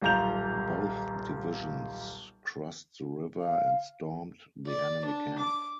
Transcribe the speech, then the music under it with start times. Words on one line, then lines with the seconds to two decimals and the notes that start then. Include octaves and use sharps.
Both divisions crossed the river and stormed the enemy camp.
0.01 D#1 B1 F4 A#5 G6 F7
3.40 F5
4.66 D5
5.05 D4
5.38 D6